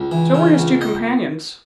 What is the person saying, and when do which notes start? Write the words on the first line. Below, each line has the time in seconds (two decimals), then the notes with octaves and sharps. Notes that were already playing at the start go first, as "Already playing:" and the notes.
So were his two companions.
Already playing: C#2
0.11 E3
0.35 C#3
0.58 C#2
0.81 D#5